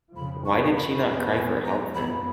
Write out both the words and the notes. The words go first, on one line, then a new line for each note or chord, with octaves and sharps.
Why did she not cry for help then?
F2 C#3 F3 B5
C#6
C#6
B5
F2 F3 B3 B5
G#5
A#5
F#2 F3 B3 B5